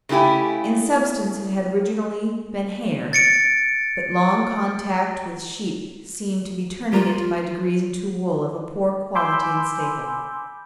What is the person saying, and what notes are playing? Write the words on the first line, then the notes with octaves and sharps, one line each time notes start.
In substance it had originally been hair, but long contact with sheep seemed to be turning it by degrees into wool of a poor quality and staple.
C#3 A3 E4 G4 G#5
A6 C#7 D7
G3 F4 A#4
G#5 B5 C6 D6 E6 G6